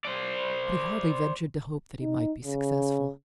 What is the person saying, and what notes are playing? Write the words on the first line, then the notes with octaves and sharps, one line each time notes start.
But he hardly ventured to hope that he might be successful.
C5 D5
D#4
C#3